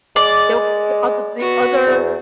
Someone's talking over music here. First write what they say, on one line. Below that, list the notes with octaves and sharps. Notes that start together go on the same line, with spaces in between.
They'll g other The other
G#3 D5
B3 F#4
E2